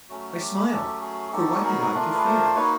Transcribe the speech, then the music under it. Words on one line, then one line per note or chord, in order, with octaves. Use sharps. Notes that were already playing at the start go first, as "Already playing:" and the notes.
I smiled,--for what had I to fear?
F#3 A3 C#4 F#4
G4
F#3 A3 C#4 G4 A4
F#4 G#4
F#3 B3 D#4 F#4 G4 A4
G#4 A#4
A3 D4 F4
B4
A#4 C5
A#3 D#4 F#4 B4 C#5